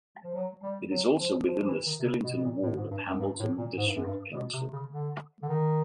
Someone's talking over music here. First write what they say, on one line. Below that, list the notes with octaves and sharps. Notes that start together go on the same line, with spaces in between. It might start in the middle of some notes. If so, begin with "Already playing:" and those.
It is also within the Stillington ward of Hambleton District Council.
F3
F#3
G3
F#3
F3
F3
F3
E3
D#3
C3
C#3
B2
B2
A#2
A2
G#2
G2
F#2
G2
A2
A#2
G#2
G2
F#2
G2
B2
C3
C#3
D3
D3
D#3